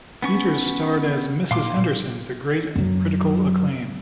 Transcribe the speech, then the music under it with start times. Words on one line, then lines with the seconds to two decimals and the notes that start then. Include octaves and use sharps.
Peters starred as Mrs Henderson, to great critical acclaim.
0.22 B3 C#4 C#6
1.51 A#2 F5 C6 D6
2.76 F#2 F#3